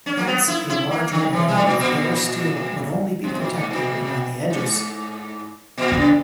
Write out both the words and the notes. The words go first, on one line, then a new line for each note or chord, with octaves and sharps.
Hence, a larger area of bare steel would only be protected around the edges.
C#4
A#3
B3
E4
E4
A#3
D#3
E3
G3
G#2
A#2
A#2
B2
B2
A#2
G#2
A#2
G#2
A#2
C#3